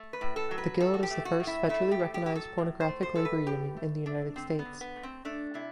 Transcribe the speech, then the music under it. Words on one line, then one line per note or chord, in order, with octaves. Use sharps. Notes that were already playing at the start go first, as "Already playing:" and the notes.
The guild is the first federally recognized pornographic labor union in the United States.
Already playing: A3
B4
A2
A4
F#3
B4
A2 A4
F#4
G4
A3
F#4
A2
E4
A3 E4
G4
A2
G4
F#3 G4
A4
A2
C5
A3
C5
A2 A4
B4
D3 G4
A3
A3 D4
D3 C4
B3
D3
B3
A3
C4
A3 D4
C3 E4